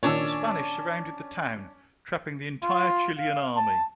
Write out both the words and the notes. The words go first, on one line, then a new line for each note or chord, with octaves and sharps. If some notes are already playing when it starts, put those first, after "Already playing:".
The Spanish surrounded the town, trapping the entire Chilean army.
A#2 D#3 C#4 D4 C#5 A5 E6
F4
F5
A5